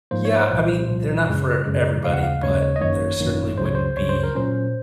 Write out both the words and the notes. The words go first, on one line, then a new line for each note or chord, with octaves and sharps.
Yeah. I mean, they're not for everybody, but there certainly wouldn't be
G#2 F3 A#3 C5
C#5
C5
C2 A#2 F3
C2 A#2 F3
F#2 C#3 G#3
F#2 C#3 G#3
D#2 C#3 G#3 F5
F#5
F5
D#2 C#3 G#3 C#5
D#5
G#1 F#2 D#3 A#3 C#5
G#1 F#2 D#3 A#3
C#2 C#3 F#3 C5
C#5
C5
C#2 C#3 F#3 C#5
C5
A#4
A#2 F#3 C#4 C5